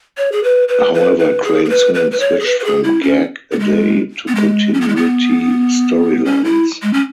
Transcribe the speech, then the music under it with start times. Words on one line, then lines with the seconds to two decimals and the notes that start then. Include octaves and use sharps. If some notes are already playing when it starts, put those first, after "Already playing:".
However, Crane soon switched from gag-a-day to continuity storylines.
0.17 C#5
0.32 G#4
0.44 B4
0.68 B4
0.94 B4
1.19 B4
1.44 G#4
1.65 G#4
1.70 B4
1.95 B4
2.11 B4
2.20 C#5
2.40 G#4
2.46 B4
2.60 B4
2.64 G#4
2.84 E4
3.02 C#4
3.52 B3
3.59 G#3
4.28 B3
4.35 G#3
4.74 C#4
4.81 B3
4.88 G#3
4.96 B3
6.25 C#4
6.45 E4
6.82 G#3
6.93 C#4